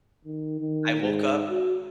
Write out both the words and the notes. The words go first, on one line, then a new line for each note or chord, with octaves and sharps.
I woke up
D#3
D#3
G#2
F#4